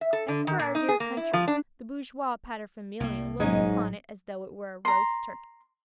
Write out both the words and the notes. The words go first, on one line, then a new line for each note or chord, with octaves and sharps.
As for our dear country, the bourgeois paterfamilias looks upon it as though it were a roast turkey.
E5
A4
D3
D#3
A#2
D#4
G#4
A#3
E4
F3
D4
C2 A2 A#3
A1 G#2 F#3 G#3 C#4 D#4
A#5 C6